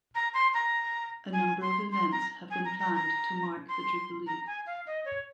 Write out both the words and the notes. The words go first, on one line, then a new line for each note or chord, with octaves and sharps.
A number of events have been planned to mark the Jubilee.
A#5
C6
A#5
G#5
C6
C6
A#5
G#5
A#5
A#5
A#5
C6
A#5
G#5
F5
D#5
C#5